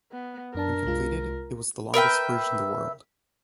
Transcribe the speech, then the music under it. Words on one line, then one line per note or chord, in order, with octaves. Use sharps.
When completed, it was the longest bridge in the world.
B3
F#2 D4 A#4 A5
C2 G#3 F4
A#4 B4 E5 G5